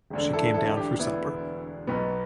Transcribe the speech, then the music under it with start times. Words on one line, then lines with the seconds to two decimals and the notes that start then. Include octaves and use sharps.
She came down for supper.
0.10 E1 D2 D3
0.33 E4 A4
0.54 E4 A4
0.77 D4 G4
0.99 B3 E4
1.87 B1 B2 B3